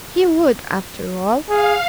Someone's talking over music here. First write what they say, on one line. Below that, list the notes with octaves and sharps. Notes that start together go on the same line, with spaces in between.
He WOULD after all.
G#4 F5